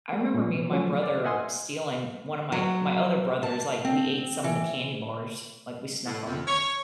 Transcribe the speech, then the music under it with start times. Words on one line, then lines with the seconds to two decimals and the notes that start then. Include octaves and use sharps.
I remember me and my brother stealing one of my my other brother's like, we ate some of the candy bars, like, we snuck 'em.
0.13 G#3 A#3
0.34 A#2 C#4
0.55 B2
0.70 F3 F#3 A3 C#4
1.03 D5
1.24 D#5 E5 F#5 G#5 C6 D#6
2.52 F#3
3.43 A5
3.85 C4
4.44 E3
6.05 A2
6.25 F2
6.47 C#5